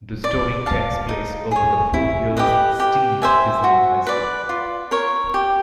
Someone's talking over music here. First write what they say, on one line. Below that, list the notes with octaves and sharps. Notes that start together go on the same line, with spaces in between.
The story takes place over the four years Steve is in high school.
D5
F5 A5
D#4
G#4 C#5
E4
G4 B4 D#5
G4
C5 E5 G#5
F#4
B4 D5
F4
A#4 C#5
G4